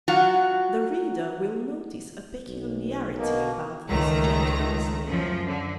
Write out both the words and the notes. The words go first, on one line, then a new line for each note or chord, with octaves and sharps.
The reader will notice a peculiarity about this gentleman's name.
F#3 F4 F#4
B1
B2 A#3
C#2 D#3 A3 A#5
F#2 F3
D3